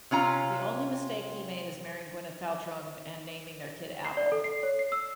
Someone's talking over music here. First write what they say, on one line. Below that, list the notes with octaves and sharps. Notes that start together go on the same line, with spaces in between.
The only mistake he made is marrying Gwyneth Paltrow and and naming their kid Apple.
C3 C#4 F4 A#5
C7
D5
A4
C7
C#5
C7
E6